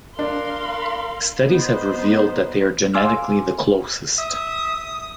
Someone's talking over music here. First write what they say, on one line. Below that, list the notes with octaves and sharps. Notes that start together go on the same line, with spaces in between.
Studies have revealed that they are genetically the closest.
D4 A#4 F5 C6
B3 D#4 C5
F5 G#5 C6 D6 E6 F6
E5 D#6